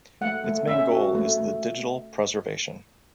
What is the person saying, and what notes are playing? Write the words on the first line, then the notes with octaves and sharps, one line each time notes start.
Its main goal is the digital preservation.
A3 F#5
A3
C#4 E5
F#4
A3
A3